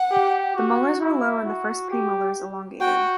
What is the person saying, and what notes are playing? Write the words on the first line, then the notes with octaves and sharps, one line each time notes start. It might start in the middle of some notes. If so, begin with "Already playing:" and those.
The molars were low and the first premolars elongated.
Already playing: F#5
G4
F#4
E4
F#4
G4
F#4 G5